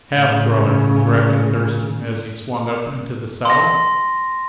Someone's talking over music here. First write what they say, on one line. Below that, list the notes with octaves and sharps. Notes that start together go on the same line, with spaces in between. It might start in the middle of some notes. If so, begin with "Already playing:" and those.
"Half brother," corrected Thurston, as he swung up into the saddle.
A2 C#3
C6 A#6